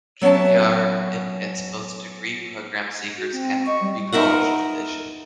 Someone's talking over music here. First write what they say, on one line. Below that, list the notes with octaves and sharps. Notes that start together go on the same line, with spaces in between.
Juilliard admits both degree program seekers and pre-college division.
F#3 B3 C#4 E5 A5
F#4
C4
D#5 C#6
G3
D#4 A#4 E5 F#5